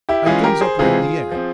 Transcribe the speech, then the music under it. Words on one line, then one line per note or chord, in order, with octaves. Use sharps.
I gaze upward in the air.
E4 G4
E3 G#3 C#4 F4 G#4
G4 A#4
G#4 C5
C3 E3 G#3 C4 F4 G#4
F3 C4